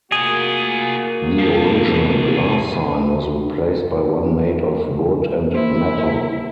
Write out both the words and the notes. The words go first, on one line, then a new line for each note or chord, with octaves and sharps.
The original glass sign was replaced by one made of wood and metal.
A#3 F4 F#4 G#4 G#5
C3 F3
A#3 E4 C5